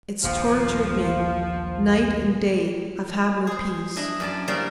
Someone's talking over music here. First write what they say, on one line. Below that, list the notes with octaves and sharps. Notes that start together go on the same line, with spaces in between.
It's tortured me--night and day--I've had no peace.
D#1 A#1 F3
G#4 C5
D4 E4 D#5
F#2 D5 A5
C#3 F3 G3 A#3 D5